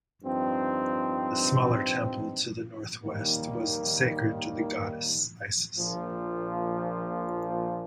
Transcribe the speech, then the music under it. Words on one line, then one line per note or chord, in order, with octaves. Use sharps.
The smaller temple to the northwest was sacred to the goddess Isis.
G2 F3 C4 D#4
D#2 D#3 G3 A#3
A#1 A#2 F3